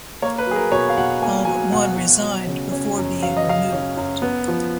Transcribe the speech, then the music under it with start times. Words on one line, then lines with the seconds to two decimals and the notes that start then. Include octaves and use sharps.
All but one resigned before being removed.
0.22 A#3 C#5
0.38 B4
0.47 F#3 G#4
0.56 A#4
0.72 B2 C#5
0.89 F5
0.98 B2 F#5
1.22 A#3 G#5
1.45 F#3 G#5
1.72 B2 F#5
1.98 B2
2.22 F#3
2.47 C#3
2.72 C#4
2.98 F#2
3.23 F#3 F5
3.37 D#5
3.47 C#3 F5
3.72 C#4
3.97 F#2
4.22 B3
4.48 F3